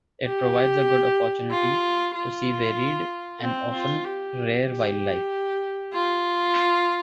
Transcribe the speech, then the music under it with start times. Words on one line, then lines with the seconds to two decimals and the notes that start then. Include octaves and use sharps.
It provides a good opportunity to see varied and often rare wildlife.
0.25 G4
1.51 F4
2.15 F4
3.41 C4
3.73 F4
4.04 G4
4.68 G4
5.94 F4